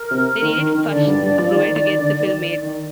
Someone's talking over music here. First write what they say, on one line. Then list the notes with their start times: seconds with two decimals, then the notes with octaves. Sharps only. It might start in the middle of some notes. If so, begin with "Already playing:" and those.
They needed Fuchs' approval to get the film made.
Already playing: A#4
0.10 C3
0.42 D#3
0.58 D#3
0.74 D#3
0.90 D3 D5
1.07 G2
1.22 G2
1.38 F3
1.54 D#3
1.76 D#3
1.99 D3
2.20 D#3
2.62 D#3